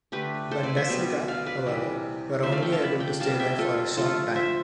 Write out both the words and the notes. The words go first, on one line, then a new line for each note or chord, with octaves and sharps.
Bundesliga, however, were only able to stay there for a short time.
D3 A3 G4 B4
A4 C5
B4 D5
C5 E5
B2 G3 B3
D5 F5
B4 D5
C3 E3 G3
D3 F3 A3 C5 E5
D5 F5
E5 G5
F5 A5
B5
G5 B5
C3 G3 B3 F5 A5
E5 G5
F4 A4
D3 F3 A3 F4 A4
C5 E5